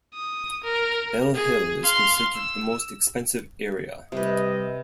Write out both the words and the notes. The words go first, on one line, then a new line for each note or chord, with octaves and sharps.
Bell Hill is considered the most expensive area.
D#6
A#4
G#4
F5 C6
E6
C3 G3 B4 D#5